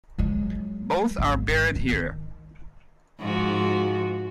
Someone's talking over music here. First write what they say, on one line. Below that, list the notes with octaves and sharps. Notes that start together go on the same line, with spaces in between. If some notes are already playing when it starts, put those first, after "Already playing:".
Both are buried here.
F#3 G#3
G#1
D#3
G#2 F3 F#4